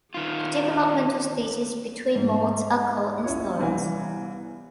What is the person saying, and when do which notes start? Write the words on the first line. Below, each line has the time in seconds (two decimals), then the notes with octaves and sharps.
The developmental stages between molts are called instars.
0.14 D#3 F4
2.16 G#2
3.24 C#4 E4 F4 C#5
3.60 C2 E3 B3 F5 G#5